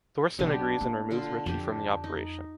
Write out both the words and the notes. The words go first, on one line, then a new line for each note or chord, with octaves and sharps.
Thorsen agrees and removes Richie from the operation.
B1 B3 D4 G4
A#3
D3 F4
F2 D4 G4
D#4